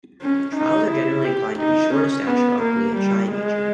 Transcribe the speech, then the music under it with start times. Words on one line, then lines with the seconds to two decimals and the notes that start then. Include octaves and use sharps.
Trows are generally inclined to be short of stature, ugly, and shy in nature.
0.21 C#4
0.56 D#4
0.91 E4
1.24 G4
1.59 D#4
1.94 C#4
2.27 B3
2.62 A#3
2.96 G3
3.31 G#3